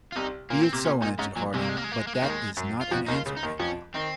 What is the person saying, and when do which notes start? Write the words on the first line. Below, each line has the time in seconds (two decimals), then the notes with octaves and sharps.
"Be it so," answered Harding, "but that is not an answer, Pencroft."
0.12 F4
0.16 C2 C3 D#4
0.50 A#2 A#3
0.62 C4
0.73 C3 A#3
0.85 A#2 C#4
1.01 A#2 D#4
1.19 G#2 C#4
1.36 A#2 F#3
1.54 C2 C3 G#3
1.61 A#3
1.69 G#3
1.77 A#3
1.84 G#3
1.92 A#3
1.99 G#3
2.07 A#3
2.15 G#3
2.22 D#2 D#3 A#3
2.30 G#3
2.57 F#2 F#3
2.81 F4
2.91 F2 F3 F#4
3.06 D#2 D#3 D#4
3.14 F4
3.26 C#2 C#3
3.37 D#4
3.43 D#2 D#3
3.59 F2 F3 C#4
3.94 D#3 C4